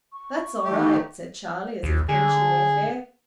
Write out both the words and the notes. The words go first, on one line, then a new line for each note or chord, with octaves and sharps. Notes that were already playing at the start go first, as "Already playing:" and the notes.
"That's all right," said Charlie, as if clinching the affair.
C#6
D#3 E3 A3 D#4 G4
D#2
D3 G#4